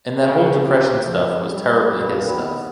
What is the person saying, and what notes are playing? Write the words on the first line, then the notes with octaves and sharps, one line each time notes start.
And that whole Depression stuff was terribly his stuff.
D2 A#2 C#3
D2 C#3 G4
F2 F3
G3
B1 E2 A#2 G3 B4
D#2 B3